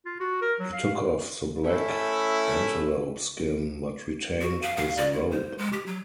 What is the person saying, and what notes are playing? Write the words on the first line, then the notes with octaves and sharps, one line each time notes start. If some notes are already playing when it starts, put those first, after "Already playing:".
He took off the black antelope skin but retained his robe.
F4
F#4
A#4
F#3
F5
A3 C#4 E4
F#4
F5
F5
D5
E4
C5
G#3
G4
F#3